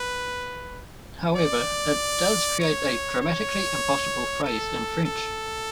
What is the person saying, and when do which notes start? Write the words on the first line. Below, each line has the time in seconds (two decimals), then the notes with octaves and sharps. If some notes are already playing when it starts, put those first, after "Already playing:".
However, it does create a grammatically impossible phrase in French.
Already playing: B4
1.36 D5
2.60 C#5
3.21 C#5
4.44 A4
5.05 A4